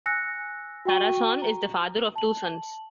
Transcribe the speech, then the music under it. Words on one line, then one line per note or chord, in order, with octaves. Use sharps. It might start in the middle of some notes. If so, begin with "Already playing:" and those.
Sarasohn is the father of two sons.
G#5 E6 F#6 A#6 C#7
F#4 G5 C#6 D#7
A#5
A5 F#7